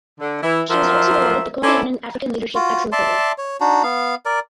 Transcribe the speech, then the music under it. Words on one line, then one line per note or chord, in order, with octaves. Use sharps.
She was also awarded the Kofi Annan African Leadership Excellence Award.
D3
E3 E4
F3 F#3 A#4 C5 E5 F5
C#4 E4 A4 C5 D5
F4 F#4
D5 E5 A5 C6
C#5
D4 D#4 F#4
B3 F5
A#4 D5